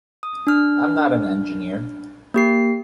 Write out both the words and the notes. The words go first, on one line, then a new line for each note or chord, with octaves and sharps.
I'm not an engineer.
D#6
D4 F6
A#3 G4 C7